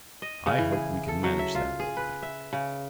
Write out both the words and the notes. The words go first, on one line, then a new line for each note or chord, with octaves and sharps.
"I hope we can manage that all right."
D#5
C#3
E3
G#4
A4
F#3
E5
F4
G#4
B4
E5
C#3